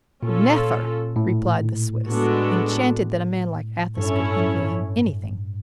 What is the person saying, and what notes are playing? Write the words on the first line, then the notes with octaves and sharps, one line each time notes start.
"Neffer," replied the Swiss, enchanted that a man like Athos could envy him anything.
A#2 C#4 F4 A4
A2
G#3 B3 D4 F#4 A4
G2 C#4 E4 A4 C#5